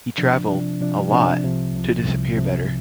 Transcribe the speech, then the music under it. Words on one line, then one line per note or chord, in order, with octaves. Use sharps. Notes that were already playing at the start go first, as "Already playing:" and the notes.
He travelled, a lot, to disappear better.
C3 F3 D4
C3 F3 D4
C3 F3 D4
C3 F3 D4
C2 C3 F3
C2 C3 F3
C2 C3 F3
C2 C3 F3